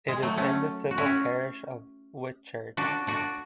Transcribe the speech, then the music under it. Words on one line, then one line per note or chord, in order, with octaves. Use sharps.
It is in the civil parish of Witchurch.
G#3
F#3 A3
A3 C#4
F#4
C#4 E4
D4 F#4
D4 F#4